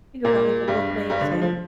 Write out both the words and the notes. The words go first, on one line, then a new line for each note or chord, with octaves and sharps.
You could probably go both ways, right?
A#2 A#3
G2 G3
G2 G3
D3
F3
F3